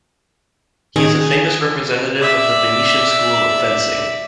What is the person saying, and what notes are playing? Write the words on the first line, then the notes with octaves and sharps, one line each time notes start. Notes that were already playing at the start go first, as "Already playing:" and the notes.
He is a famous representative of the Venetian school of fencing.
D#3 G#4
D5 E5